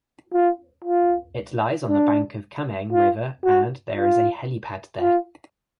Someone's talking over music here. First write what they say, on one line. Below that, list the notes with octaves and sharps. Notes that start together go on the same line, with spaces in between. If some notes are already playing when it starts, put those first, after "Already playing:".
It lies on the bank of Kameng River and there is a helipad there.
F4
F4
D4
F4
F#4
F4
F4